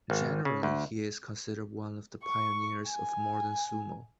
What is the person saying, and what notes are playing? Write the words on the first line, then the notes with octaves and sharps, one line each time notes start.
Generally he is considered one of the pioneers of modern sumo.
G#1
C#3
D2
C#6
G#5